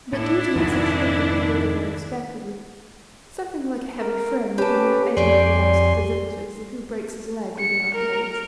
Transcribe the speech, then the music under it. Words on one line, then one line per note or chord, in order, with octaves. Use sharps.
But Duty has a trick of behaving unexpectedly--something like a heavy friend whom we have amiably asked to visit us, and who breaks his leg within our gates.
A2 D4 E4
F2 G#2 C3 D#3
A#4
C#4 G4 B4 A5
F2 G4 C#5 D5 G#5 C6
C#7
A#4